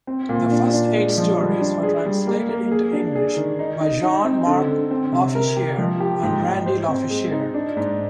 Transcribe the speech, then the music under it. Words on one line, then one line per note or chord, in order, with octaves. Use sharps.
The first eight stories were translated into English by Jean-Marc Lofficier and Randy Lofficier.
C4
A#2
D4
D4
G#3
F3
G3
D4
G#4
G3
A#3
A#3
G#4
D4
G#4
D#3
D#4
D#4
D#4
C4
D3
D3
C4
C3
A#4
G4
F3
G4
G#2
G#2
C5
C4
G#3
D#4
D4
G#2